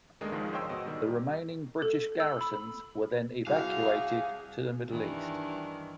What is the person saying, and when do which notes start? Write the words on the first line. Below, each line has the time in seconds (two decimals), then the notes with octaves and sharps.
The remaining British garrisons were then evacuated to the Middle East.
0.21 D#2 G#3 A3 D4 A#4 D#5
0.32 C#2 G#2 D#3 F3 G#3
0.53 C5 C#5 D#5 G5 C6 E6
0.69 B2 D#5
0.86 D#3 G3
1.82 A4
2.20 E6
2.41 B5
3.47 C2 E4 F#4 G#4 F5 F#5
4.88 G2 D#3 E3